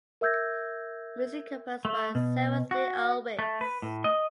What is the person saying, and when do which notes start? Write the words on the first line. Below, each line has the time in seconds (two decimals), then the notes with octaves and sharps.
Music composed by Sarath de Alwis.
0.21 A#4 E5 E6 G6 G#6 A#6
1.85 A3
2.15 B2
2.71 F#4
3.39 A3
3.61 B4
3.82 A2
4.04 D#5